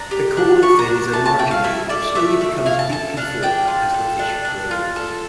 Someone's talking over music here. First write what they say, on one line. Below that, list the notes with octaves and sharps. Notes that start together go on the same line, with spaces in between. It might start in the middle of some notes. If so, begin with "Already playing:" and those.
The caudal fin is emarginate but slowly becomes deeply forked as the fish grows.
Already playing: D4 A#5
G4
D4
G4 C#6
A#5
D4
A3 A5
A5
A3 G5
F5
E4 E5
A4 D5
A3 E5
A3
E4 F5
A5
A4 A5
D4 F5
D4 G5
F4
A4
D4
D4
F4
A4